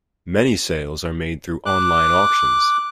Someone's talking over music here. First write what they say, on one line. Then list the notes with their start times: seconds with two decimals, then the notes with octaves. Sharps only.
Many sales are made through online auctions.
1.66 D6 F#6